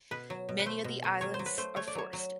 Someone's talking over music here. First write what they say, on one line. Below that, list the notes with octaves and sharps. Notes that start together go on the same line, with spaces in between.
Many of the islands are forested.
B2 B4
F#3
B2
B4
A3 C5
B2
A3
F#3 C#5
C5
F#3
B4
A3 C5
A3 C#5
D5
F#3 C#5
F#3